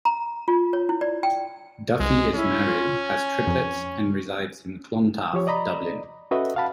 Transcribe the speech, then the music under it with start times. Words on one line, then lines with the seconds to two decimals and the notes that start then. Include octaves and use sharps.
Duffy is married, has triplets and resides in Clontarf, Dublin.
0.05 A#5
0.48 F4
0.73 C#5
0.89 E4
1.01 D5
1.23 G5
2.00 C2 G#3
2.35 C#4 E4
2.64 F4
3.08 G#5
3.47 F2
5.33 F3 G4 C#5
5.47 D5 D#5 A#5 B5
6.31 C#4 F#4 A4 B4 D#5 E5
6.56 F5 F#5 A5 B5